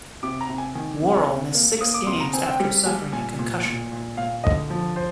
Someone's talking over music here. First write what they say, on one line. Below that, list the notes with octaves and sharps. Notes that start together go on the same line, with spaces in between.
Worrell missed six games after suffering a concussion.
C3 D6
A#5
C3
G#5
D#3 G#5
C3
C3
A#3
A#3 D#6
D6
C3 C6
A#5
C4 G#5
G5
G3
G3 G#5
A#2 G#5
A#2
A#2
A#2
A#2 F5
D3 D#5
F3
C5